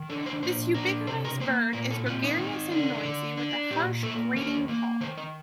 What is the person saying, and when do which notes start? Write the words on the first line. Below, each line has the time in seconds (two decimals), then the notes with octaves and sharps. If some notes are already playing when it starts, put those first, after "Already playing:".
This ubiquitous bird is gregarious and noisy, with a harsh grating call.
Already playing: D#3
0.09 D4 A4
0.26 C5
0.43 A#2 C5
0.74 D4 A#4
1.07 C3 C5
1.25 A#4
1.40 A#3 C5
1.73 A#2 A#4
1.90 A4
2.06 C4 F4
2.23 D#4
2.38 D#3
2.71 D4
3.05 D3
3.37 D4
3.71 A#2 G4
4.03 A#3 A4
4.35 D#3 A#4
4.68 A#3
5.01 D#3 C5
5.17 D#5